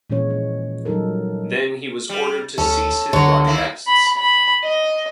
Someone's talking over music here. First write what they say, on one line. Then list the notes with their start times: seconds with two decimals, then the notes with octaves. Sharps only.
Then he was ordered to cease his broadcasts.
0.10 A#2 E3 F3 G#3 C#4 C#5
0.30 C#4
0.85 F#3 G3 D#4 A4 A#4
2.09 G3
2.58 D2 C#4 A4
3.13 C#2 D3 F#3 C#5
3.45 D#2 A#3 E4
3.87 B5
4.17 B5
4.63 D#5